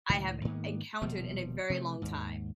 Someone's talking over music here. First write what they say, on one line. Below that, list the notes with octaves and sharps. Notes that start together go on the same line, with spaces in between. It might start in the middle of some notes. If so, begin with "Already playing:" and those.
I have encountered in a very long time,
C#2 A2 D#3
G#2 D#3 A#3 B3
D#1 B2 F3 G3
C3 F3 A3
D#2 G#2